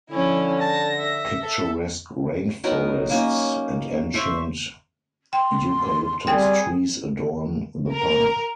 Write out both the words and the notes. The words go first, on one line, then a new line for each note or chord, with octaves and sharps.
Picturesque rain forests and ancient eucalyptus trees adorn the park.
D3 F3 C#4 E4
A5 A#6
E5
A4 E5
F#3 B3 D#4 A#4
A#3 C#4 D#4
C5 E5 C#6
G5 C6
G3 C4 G#4 G5
A#4